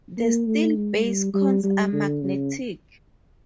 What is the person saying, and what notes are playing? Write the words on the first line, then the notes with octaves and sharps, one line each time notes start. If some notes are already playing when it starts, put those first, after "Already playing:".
The steel base coins are magnetic.
A#3
A3
G#3
G3
G3
G3
D3
C#3